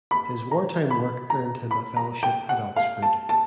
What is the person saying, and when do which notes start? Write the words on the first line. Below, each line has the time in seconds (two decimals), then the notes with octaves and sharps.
His war time work earned him a fellowship at Oxford.
0.11 B5
0.51 A#5
0.90 B5
1.30 A#5
1.71 B5
1.97 A#5
2.23 G5
2.49 F#5
2.76 F5
3.02 A5
3.29 A5